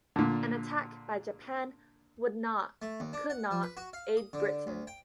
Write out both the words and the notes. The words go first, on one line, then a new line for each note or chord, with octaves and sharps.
An attack "by Japan" would not, could not, aid Britain.
A#2 D3
A3
D#2
D4
F#5
F3
B4
F#4
F5
D#6
D3
D2
G5